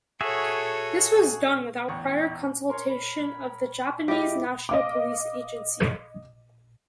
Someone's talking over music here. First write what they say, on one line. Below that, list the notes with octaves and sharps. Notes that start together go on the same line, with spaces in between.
This was done without prior consultation of the Japanese National Police Agency.
F#4 G#4 A4 C#5 E5
A1 E2 G5 C#6
A#4 C#5 C6
B5
G#3 E4 F4 G4 D#5 D6
D#5 F5 D6